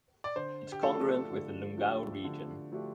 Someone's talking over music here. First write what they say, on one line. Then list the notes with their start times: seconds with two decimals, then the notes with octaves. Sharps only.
It is congruent with the Lungau region.
0.24 D5
0.36 D3 C5
0.72 G4
0.83 F3 A3 D4 G4 A4
1.30 D3
1.78 F3 A3 D4 G4
2.24 D3
2.72 F3 A3 D4 G4